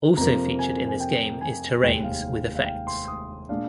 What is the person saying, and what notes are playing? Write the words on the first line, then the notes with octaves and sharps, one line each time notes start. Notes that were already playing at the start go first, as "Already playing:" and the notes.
Also featured in this game is terrains with effects.
F2 C3 F3 A#3 A#5
G#5
G#5
G5
G#5
F1 D#2 D#3 G#3 G5
F5
F5
G5
C6
D#6
A#2 G#3 D4 F5